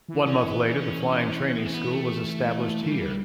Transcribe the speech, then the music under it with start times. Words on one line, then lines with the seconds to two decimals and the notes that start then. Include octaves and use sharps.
One month later, the Flying Training School was established here.
0.09 E3
0.26 E3 C#4
0.48 B3
0.70 C#4
1.58 B3
1.66 C#4
1.74 B3
1.91 A3
2.83 A3
2.91 G3